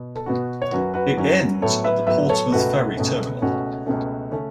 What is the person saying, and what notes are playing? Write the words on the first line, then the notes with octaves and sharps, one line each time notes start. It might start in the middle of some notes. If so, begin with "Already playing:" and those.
It ends at the Portsmouth ferry terminal.
Already playing: B2
A4
B2 B3 F#4
C#5
F#2 F#3 C#4 F#4 B4
F#4 B4
F#2 F#3 C#4
A2 F#3 B3 A4 C#5
B4 E5
A2 F#3 B3 B4 E5
A4 C#5
C#2 B2 A3 C#4 F#4 B4
C#2 B2 A3 C#4
C#2 B2 A3 C#4 F#4
C#2 B2 A3 C#4
C#3 A3 C#4